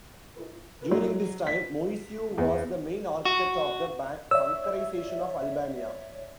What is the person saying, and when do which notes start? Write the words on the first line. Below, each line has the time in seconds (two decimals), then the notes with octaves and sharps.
During this time Moisiu was the main architect of the bunkerisation of Albania.
0.91 F#3
1.47 B6
2.38 E2
3.25 F#4
4.31 C#5 D5 E5 E6